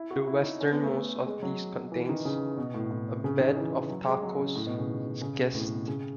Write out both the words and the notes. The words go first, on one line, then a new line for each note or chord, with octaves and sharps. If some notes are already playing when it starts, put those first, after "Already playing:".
The westernmost of these contains a bed of talcose schist.
Already playing: E4
F#4
E4
D#4
C#4
B3
A3
G#3
F#3
E3
D#3
C#3
B2
A2
A2
C#3
D#3
E3
F#3
G#3
F#3
C#3
A2
B2
C#3
D#3
C#3
C#3
B2
A2
B2
C#3